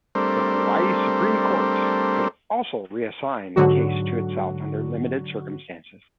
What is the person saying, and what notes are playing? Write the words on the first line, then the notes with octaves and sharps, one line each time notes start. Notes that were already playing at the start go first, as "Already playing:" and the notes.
The Hawaii Supreme Court could also reassign a case to itself under limited circumstances.
G3 A3 C4 D4 A#4 C5
G#2 D3 F#3 F#4